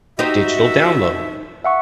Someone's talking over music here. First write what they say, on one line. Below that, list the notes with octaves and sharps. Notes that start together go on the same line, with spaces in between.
Digital download.
D#4 F#4 G4 C5 E5
E5 F#5 C#6